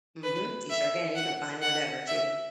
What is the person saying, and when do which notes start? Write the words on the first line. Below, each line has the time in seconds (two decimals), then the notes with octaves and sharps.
Mhm, you sure can, you can find whatever too.
0.24 B4
0.70 E5
1.15 F#5
1.62 F#5
2.07 E5